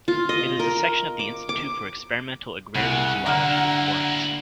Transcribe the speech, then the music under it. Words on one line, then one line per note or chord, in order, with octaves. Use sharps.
It is a section of the Institute for Experimental Agrarian Zoology of Florence.
F4
D#5
A#4
D6
D6
C2 C#3 F#5
D3 G3 A#3 E4 A#5 F6